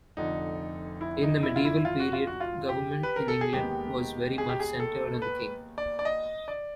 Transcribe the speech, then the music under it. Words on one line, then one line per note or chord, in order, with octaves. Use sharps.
In the Medieval period, government in England was very much centred on the King.
F1 F2 D3 D#4
E4
D#4
E4
F4
E4
F4
F#4
F4
F#4
F4
G4
B4
A#4
A4
G#4
D#2 D#3 G#3 B3 G4
G#4
G4
G#4
A4
B4
D5
D5
D#5
D5